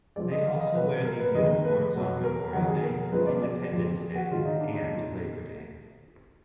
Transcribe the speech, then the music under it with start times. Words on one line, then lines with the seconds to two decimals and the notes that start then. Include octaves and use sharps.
They also wear these uniforms on Memorial Day, Independence Day, and Labor Day.
0.16 F#2 F3 G#3 D5
0.31 D#5
0.45 F5
0.61 D#5
0.75 B2 F#3 B4
1.05 A#4
1.20 B4
1.34 F2 D#3 G#3 D#5
1.65 B4
1.94 B2 F#3
2.24 A#4
2.53 F2 D#3 F#3 F#4
2.68 G#4
2.83 A#4
3.12 F#2 F3 G#3 B4
3.27 D5
3.42 D5
3.72 F2 F3 G#3
4.01 G#4
4.15 F#4
4.31 G#2 D#3 G#3 F4
4.45 D#4
4.60 D4
4.75 D#4
4.90 A#2 F#3